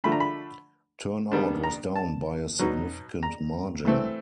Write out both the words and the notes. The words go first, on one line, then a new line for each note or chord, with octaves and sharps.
Turnout was down by a significant margin.
D3 F3 A3 D4 B5
A#5
B5
D#3 G3 B3 D4
A#5
A5
B2 F#3 B3 D#4
A#5
A2 E3 A3 C4